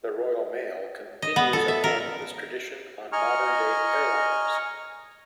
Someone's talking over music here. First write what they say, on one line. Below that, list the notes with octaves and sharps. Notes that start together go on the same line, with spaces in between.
The Royal Mail continues a form of this tradition on modern day airliners.
D#5
B3
A4
E5
A#4
D#5 G#5 A#5 C#6 F6